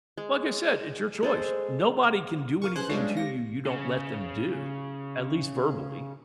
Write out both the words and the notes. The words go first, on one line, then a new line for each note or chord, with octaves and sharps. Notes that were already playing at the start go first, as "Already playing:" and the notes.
Like I said, it's your choice. Nobody can do anything to you, you don't let them do, at least verbally.
G#3
G#3 A4 C5
A#4 F5 C#6
C#4 G#4 B4 C5 F#6
C#2 B2 G3 G#3 D4 F4 C#5
G4 F5 A#6
C#3 C#4